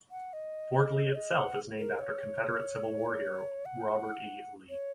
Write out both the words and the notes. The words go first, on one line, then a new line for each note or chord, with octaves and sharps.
Fort Lee itself is named after Confederate Civil War hero Robert E. Lee.
F#5
D#5
C#5
D#5
F#5
A#4
C#5
F#5
C#5